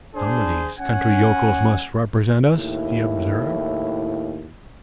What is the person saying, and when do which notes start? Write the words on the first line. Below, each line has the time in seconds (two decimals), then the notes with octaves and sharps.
"Some of these country yokels must represent us," he observed.
0.15 D4 G#4 C5
0.80 C#4 F#5 G#5
2.55 D#2 A2 E4